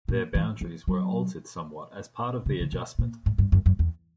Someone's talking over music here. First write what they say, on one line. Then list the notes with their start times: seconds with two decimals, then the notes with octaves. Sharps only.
Their boundaries were altered somewhat as part of the adjustment.
0.08 A#2
0.35 E3
0.61 F3
0.88 F#3
2.46 C#3
2.60 C#3
2.72 B2
2.99 A#2
3.26 G#2
3.38 G2
3.52 F#2
3.66 F#2
3.79 E2